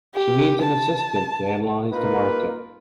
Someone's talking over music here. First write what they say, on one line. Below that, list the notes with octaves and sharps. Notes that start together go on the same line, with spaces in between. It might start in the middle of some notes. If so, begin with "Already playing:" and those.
She needs an assistant to analyze the market.
G4
A5
A#3 D#4 F4 A#4 B4